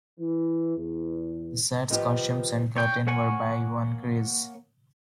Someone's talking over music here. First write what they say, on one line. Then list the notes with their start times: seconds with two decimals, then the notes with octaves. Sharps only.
The sets, costumes, and curtain were by Juan Gris.
0.18 E3
0.77 E2
1.90 D#3 F3 B3 G4
2.77 C#5 G5
3.07 A#3 C#5 F#5 G#5 C#6